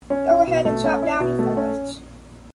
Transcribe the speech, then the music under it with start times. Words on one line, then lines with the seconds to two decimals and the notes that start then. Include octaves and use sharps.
Go ahead and chop down your forests.
0.10 C#4
0.29 E4
0.47 B2
0.65 A3
0.84 C#4
1.02 E4
1.20 B2
1.39 A3
1.57 C#4